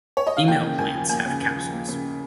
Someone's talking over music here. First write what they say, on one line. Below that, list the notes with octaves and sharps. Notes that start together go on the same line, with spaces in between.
Female plants have capsules.
C#5
D#5
F5
A#3 G5
C#3
D#2 G#5
F3
A#3 G#5
C#3
D#2
F3
A#3
C#3